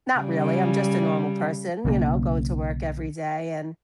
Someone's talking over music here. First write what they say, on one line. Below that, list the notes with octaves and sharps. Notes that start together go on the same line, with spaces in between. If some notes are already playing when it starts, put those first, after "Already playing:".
not really, I'm just a normal person, you know, going to work every day, and
C#3 G3
B1 C#3 F3 A#3